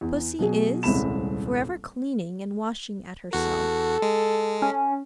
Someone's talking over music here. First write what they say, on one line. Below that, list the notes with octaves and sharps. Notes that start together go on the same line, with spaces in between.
Pussy is for ever cleaning and washing at herself.
E2
B2 F#3 G#4
D#1 C2 G#3 C4 B5 E7
E2 F#4 A4
G#3
C#4